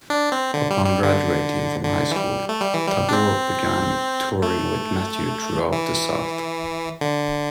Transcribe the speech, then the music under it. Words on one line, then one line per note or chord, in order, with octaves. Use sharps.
Upon graduating from high school, Tabor began touring with Matthew throughout the south.
D4
C4
D3
G3
G3
D3
D3
E3
G3
A3
G3
E3
G3
D4
C4
A3
E3
D3